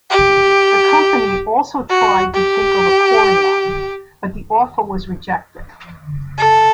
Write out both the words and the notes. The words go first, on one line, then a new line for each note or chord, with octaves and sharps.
The company also tried to take over Chorion but the offer was rejected.
G4
F#4
G4
A4